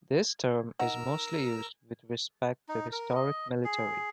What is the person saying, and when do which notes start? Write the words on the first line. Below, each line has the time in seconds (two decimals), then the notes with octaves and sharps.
This term is mostly used with respect to historic militaries.
0.79 D#4 A#4 F#5 A#5 E6
2.69 D#4
2.92 A#4
3.15 D#5
3.64 G#4